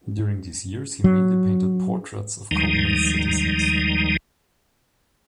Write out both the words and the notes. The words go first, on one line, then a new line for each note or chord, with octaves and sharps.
During these years he mainly painted portraits of Koblenz citizens.
F#3
D#2 D#3 F3 G3 G#3 D#4